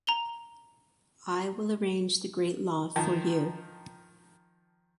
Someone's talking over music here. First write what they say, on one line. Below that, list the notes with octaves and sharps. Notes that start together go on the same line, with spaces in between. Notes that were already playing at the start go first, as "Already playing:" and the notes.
I will arrange the great law for you.
A#5 F7 G7
D#3 F3 A5